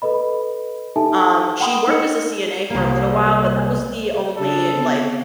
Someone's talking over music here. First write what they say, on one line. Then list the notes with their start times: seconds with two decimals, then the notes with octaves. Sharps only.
um, she worked as a CNA for a little while, but that was the only, like,
0.02 A4 B4 D#5 B5
0.96 D#4 G4 A4 E5 G#5 A5
1.60 F#5 G5 B5 C6 D#6
1.87 D#4 D#5 C#7
2.70 C2 A#3
4.37 C#3 D4 A4
4.74 D3 B3 C4